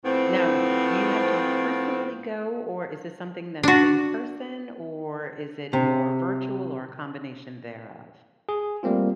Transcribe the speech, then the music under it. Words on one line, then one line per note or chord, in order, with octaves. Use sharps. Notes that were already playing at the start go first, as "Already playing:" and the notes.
Now, do you have to personally go? Or is this something that's in-person? Or is it more virtual? Or a combination thereof?
A2 F3 B3 C4
D4 F#4
C3
G#4
G3 A3 A#3 C4 F4